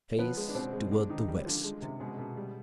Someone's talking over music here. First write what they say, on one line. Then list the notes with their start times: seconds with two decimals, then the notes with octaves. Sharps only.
Face toward the West!
0.18 F3 B3 B4
0.37 G#3
0.48 D4
0.55 B2 C4
0.73 G#3
0.91 G#3 D4
1.09 D3 D#3 D#4
1.28 G3
1.46 D3 F3 F4
1.64 G#3
1.82 C3
2.00 B2 G#3 G#4
2.18 B2
2.37 G3